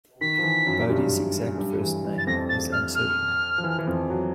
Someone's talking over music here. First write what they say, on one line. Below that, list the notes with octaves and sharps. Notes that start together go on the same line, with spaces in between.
Bodey's exact first name is uncertain.
D#3 B6
F3
E3
F#2 F#3
G2 G3
G2 G3
E3
E3
A6
F2 F3 A#6
A6
F6
F6
F3
E3
E3
F2 F3
F#3